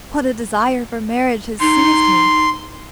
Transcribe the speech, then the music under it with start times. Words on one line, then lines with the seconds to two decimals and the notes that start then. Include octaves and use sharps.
What a desire for marriage has seized me!
1.60 D#4 C6